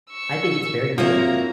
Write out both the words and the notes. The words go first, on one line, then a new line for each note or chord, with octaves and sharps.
I think it's very important.
C#6 E6
F3 A#3 C4 E4 F#4 C#5 E5 A#5